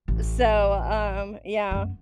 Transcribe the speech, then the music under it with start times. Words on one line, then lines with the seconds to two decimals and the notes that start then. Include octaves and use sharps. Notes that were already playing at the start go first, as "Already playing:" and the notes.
So, um, yeah.
0.08 A1
1.71 F#2 B3